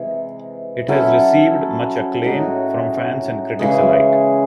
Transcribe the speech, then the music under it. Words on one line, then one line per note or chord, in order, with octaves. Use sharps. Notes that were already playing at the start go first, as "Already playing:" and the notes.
It has received much acclaim from fans and critics alike.
Already playing: C3 E3 G#3
F#3 C#4 E4 A4
A2 G#3 D#4 F#4
C#3 E3 G#3